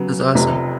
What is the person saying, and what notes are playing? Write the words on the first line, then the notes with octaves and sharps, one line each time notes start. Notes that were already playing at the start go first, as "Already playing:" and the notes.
That's awesome.
Already playing: C#3 F#3 B3
F1 F2 C3